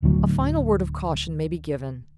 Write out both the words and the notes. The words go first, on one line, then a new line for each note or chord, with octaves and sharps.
A final word of caution may be given.
D1 D2 F#3